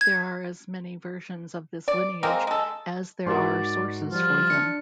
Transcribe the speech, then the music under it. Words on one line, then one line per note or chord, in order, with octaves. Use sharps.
There are as many versions of this lineage as there are sources for them.
G#6
D5
G#3 A#3 C4 A#4
G#3 A4
G#2 F#4 A#4 D5 C6
F3 G3 F4
D4 C#7